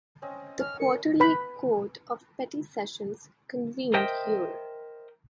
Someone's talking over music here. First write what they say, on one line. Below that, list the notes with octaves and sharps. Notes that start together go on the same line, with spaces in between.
The quarterly Court of Petty Sessions convened here.
C4 C#4 D#5
C#4 F6
A#4 C#7
B4 B5
A#4 C5 D#5 E5 G5